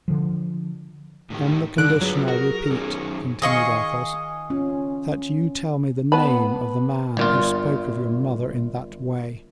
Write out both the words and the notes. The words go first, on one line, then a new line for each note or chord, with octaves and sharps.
"On the condition, I repeat," continued Athos; "that you tell me the name of the man who spoke of your mother in that way."
D3 F3
A2 D#3 G4
F#2 D3 D4 F#6 D7
F#3 F4 F#4 G#4 B4
F#4 A#4
F#2 D#3 C#4
D#3 G#4 D#5 F5 C#6
C#4 F4
B3 B4 A5 B5
G1 A#2 F4